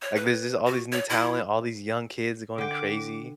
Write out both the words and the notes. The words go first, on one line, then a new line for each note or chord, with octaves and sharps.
Like, these these all these new talent, all these young kids going crazy.
C#5
B4
F#4
C#5
E4
D3 G5 D6